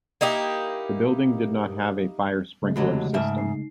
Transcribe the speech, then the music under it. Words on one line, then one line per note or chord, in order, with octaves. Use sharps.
The building did not have a fire sprinkler system.
A#3 D#4 E4 G4
C#3 G#3 A3
E2 D3 F#3 F#4 G4 D#5
G#2 E5 A5 F6
D#4 C7